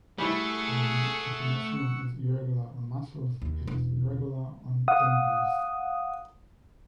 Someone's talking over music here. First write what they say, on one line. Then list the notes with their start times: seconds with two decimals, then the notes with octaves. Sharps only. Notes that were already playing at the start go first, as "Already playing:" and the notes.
While the epimysium is irregular on muscles, it is regular on tendons.
0.18 G3 A3 E4 G#4 F#5 C#6 E6
3.42 D#2
3.67 E1
4.88 F5 F#5 D#6